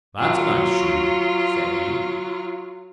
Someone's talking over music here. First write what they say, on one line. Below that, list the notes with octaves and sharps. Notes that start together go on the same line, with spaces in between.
'That's a nice shoe', said he.
F#3 F4